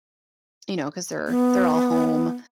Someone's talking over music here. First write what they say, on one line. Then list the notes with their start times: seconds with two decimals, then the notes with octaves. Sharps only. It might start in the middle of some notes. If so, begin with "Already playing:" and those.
you know, 'cause they're they're all home,
1.28 B3